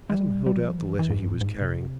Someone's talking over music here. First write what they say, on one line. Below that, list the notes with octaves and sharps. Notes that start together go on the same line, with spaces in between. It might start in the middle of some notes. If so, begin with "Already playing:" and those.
Adam held out the letter he was carrying.
G#3
G3
G3
F3
E3
E3
G#2
G2
A#2
G#2
C3